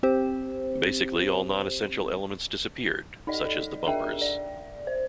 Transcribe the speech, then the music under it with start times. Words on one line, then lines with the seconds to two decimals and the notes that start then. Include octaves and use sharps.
Basically all non-essential elements disappeared, such as the bumpers.
0.03 C4 G4 C5
3.27 D#4 A4 D5 D#5
3.86 D4 G#4 A#4 E5 G5
4.22 D5
4.87 C5